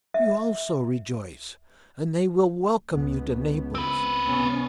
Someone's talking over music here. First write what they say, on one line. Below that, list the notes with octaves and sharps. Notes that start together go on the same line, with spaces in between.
You also rejoice--and they will welcome you to Naples.
E5
C#2 B3
C4 B4
C3 B3 C#4